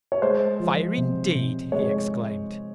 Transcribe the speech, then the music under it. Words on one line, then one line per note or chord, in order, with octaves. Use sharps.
"Fire, indeed!" he exclaimed.
C#5
G#3 C5
F3
C3
C3
G#3 C#5